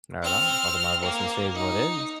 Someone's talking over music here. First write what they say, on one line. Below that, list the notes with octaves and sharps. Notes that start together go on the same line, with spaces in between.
Right on. Oh, the Marvelous Miss Maisel it is.
C4 F6
A#3
D#4